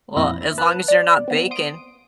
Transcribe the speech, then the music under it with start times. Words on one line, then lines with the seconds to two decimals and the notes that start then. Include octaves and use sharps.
Well, as long as you're not baking.
0.16 F2 A#2 C4 E4 E5 A#6
0.58 B4 A5 F#6
0.88 D5
1.28 B3 C4
1.51 C6 D#6 D7